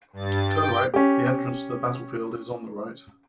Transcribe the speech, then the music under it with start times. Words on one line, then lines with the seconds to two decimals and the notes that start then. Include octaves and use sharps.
Turn right; the entrance to the battlefield is on the right.
0.13 G2 A6
0.48 G5
0.94 C#4 G4